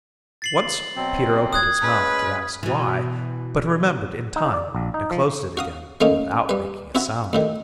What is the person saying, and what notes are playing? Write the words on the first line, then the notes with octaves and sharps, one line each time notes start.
Once Peter opened his mouth to ask why, but remembered in time and closed it again without making a sound.
A6 C7 F#7
B2 F#3 C4
D#6 F#6 G#6
G#3 C#4 B4
B2 E3
D#4
D5
A#1
D#4
F3
F#4 F5 D#6
D#3 A3 A#3 C#4 D#4
G3 B4
C4 E4 F#4 E5
D2 A2 D#3